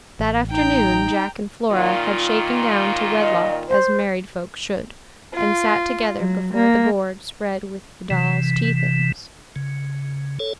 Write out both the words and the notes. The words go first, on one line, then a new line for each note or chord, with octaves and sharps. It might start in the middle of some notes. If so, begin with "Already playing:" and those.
That afternoon, Jack and Flora had shaken down to wedlock as married folk should, and sat together before the board spread with the dolls' tea-things.
A1
D#4 G5 A#5
A#2 D#3 F4
D#5
C5
F4
F#3
A#3
C3 E3
C#3
A4 C#5